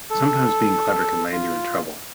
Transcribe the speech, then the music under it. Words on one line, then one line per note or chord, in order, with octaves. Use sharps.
Sometimes being clever can land you in trouble.
A4
F4